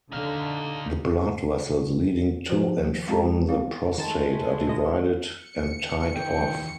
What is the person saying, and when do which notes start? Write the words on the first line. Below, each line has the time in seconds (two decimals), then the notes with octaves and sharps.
The blood vessels leading to and from the prostate are divided and tied off.
0.12 D3 D#4 F5
2.49 F3 F#4 B4 C5
3.07 G#3 C4 F4 G4 A5 A#5
3.48 B3 C4 E4 F5
3.98 D#3 G#3 A3 A5
4.67 A#2 D#5
5.35 C#7
6.15 E2 D#3 G5